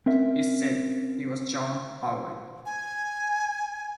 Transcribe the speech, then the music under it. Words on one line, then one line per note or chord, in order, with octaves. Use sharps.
He said he was John Howard.
C4 C#4 A#4 E5
G#5